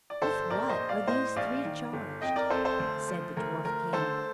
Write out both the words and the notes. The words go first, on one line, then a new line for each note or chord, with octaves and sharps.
"With what are these three charged?" said the Dwarf-King.
D5
G1 A4 C5
A#1 A#4 D5
C5 D#5
A#1
D5 F5
A2 C5 D#5
A#1 D5 F5
D#3
G1
F2 D#5 G5
A#4 D5
F2 A4 C5
A4 C5
D2
F3
D2 A#4
D2 A#4
D3 A4 C5